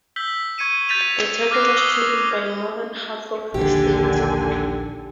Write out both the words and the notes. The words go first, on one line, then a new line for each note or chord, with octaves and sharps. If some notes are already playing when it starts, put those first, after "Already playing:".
A turtle was chosen by more than half of the states.
E6 G6 B6 G7
C#6 G#6 C#7 D#7 E7
G6 A6 B6 D#7 F7
D6 F6 F#6 A#6 C7 D#7
D#6 E6 G7
A#1 D#2 D3 D#3 G4 G#5